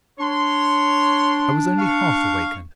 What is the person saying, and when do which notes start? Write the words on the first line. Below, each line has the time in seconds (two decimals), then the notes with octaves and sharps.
I was only half-awakened.
0.20 D4 C#5 C6
1.79 F5 C#6